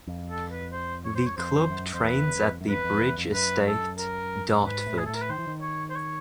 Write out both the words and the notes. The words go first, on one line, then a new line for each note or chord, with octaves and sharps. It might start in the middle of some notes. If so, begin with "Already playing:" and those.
The club trains at The Bridge Estate, Dartford.
F2
A4
B4
C5
C#5
C5
C#5
F2 C5
F#2
F2 C5
E2 B4
E2
F2
F#2
F2 B4
F2
E2
F2
F#2 B4
A4
A#4
G#2 B4
A2
G#4
A2 A4
A#4
B4
D#3 C5
E3
D#3
C#5
C5
C#5